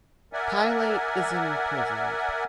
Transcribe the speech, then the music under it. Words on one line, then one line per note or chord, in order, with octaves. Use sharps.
Pilate is imprisoned.
A#4 D5 E5 F#5 G#5